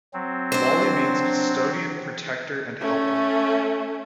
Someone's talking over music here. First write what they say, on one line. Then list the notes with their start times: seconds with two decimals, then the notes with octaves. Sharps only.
Wali means "custodian", "protector" and "helper".
0.14 F#3 C4
0.52 D4 C5
2.81 A3 C#4